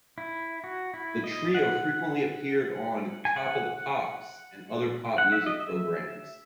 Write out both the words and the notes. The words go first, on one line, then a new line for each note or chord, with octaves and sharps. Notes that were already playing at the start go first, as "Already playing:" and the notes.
The trio frequently appeared on "Top of the Pops" and other pop music programmes.
E4
F#4
E4
D#5
F#5
G#5
F#5
F#5
E5
D#5
E5